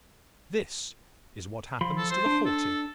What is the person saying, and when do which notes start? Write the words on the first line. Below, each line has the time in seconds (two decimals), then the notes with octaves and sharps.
This is what happens to the haughty.
1.81 F3 B5 C6
1.98 A4
2.10 C5
2.26 D4
2.46 A4